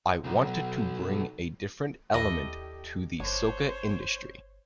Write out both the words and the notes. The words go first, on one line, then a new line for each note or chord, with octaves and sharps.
I wanted to bring a different element to the soca industry.
B1
D#2 D4 E4 G4 A4 D#5
G1 D4 C5 C#5